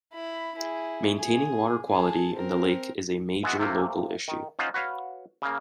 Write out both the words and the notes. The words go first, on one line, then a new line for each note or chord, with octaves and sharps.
Maintaining water quality in the lake is a major local issue.
E4 B5
E4 G#4
G#4
G#4 A5
C4 A#4
E3 G#3 B3 F#4
C3 A3 A#3
D#3
C#4 D#4 F4 C5 F#5
F#4 B4 C#5 F5
C#3 A#3